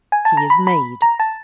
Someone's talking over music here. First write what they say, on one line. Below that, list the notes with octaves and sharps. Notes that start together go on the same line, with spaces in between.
He is made.
G#5
A5
A#5
B5
B5
A#5
A5